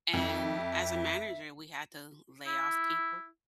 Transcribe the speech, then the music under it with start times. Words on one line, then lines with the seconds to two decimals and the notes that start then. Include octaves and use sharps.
And as a manager, we had to lay off people,
0.14 F2 E5
2.47 E4